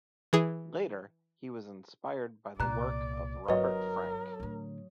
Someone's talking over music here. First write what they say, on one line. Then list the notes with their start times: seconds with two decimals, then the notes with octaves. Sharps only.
Later he was inspired by the work of Robert Frank.
0.33 E3 G#4
2.60 C2 A#2 D5 A#5 F#6
3.48 G1 F#3 A#4 B4 C#5 D#5 D#6
4.40 A2 D3